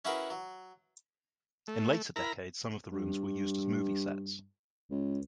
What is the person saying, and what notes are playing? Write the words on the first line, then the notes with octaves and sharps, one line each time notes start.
In later decades some of the rooms were used as movie sets.
C#4 E4 F#4 G#4 A#4 B4
F#3
A3
E4 A#4 A#5 B5
G2
C#2